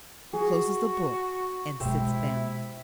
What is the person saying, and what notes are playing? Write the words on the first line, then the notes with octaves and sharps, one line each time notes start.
He closes the Book and sits down.
F#4 G#4
B2 G#3 E4 G4 C5 E5